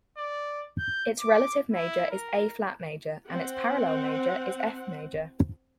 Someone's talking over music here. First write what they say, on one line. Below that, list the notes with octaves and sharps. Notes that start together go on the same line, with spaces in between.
Its relative major is A-flat major, and its parallel major is F major.
D5
G6
D6
E4
A#4
C4 F#5